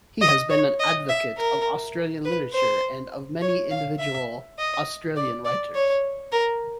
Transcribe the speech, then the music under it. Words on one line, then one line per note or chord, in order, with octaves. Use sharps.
He has been an advocate of Australian literature and of many individual Australian writers.
D#5
C#5
D#5
E5
A#4
B4
C5
C#5
F5
E5
D#5
D5
D5
C#5
A#4